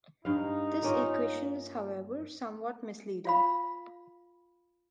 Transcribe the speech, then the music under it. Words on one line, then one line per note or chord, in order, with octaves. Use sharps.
This equation is however somewhat misleading.
G2 D#4 F5
A#3 C#4 F4
F4 F5 B5